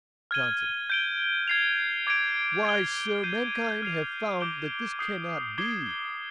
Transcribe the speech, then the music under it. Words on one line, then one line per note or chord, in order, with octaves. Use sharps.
JOHNSON. 'Why, Sir, mankind have found that this cannot be.
F6 G#6 D#7 G7
G6 D7 G7
G#6 C7 F7
D6 G#6 D7 F7
G#6 D7 G7
G6 C7 D#7
F6 C7 F7
D6 G6 D7 G7
D#6 G6 C7
D6 G#6 C7 G7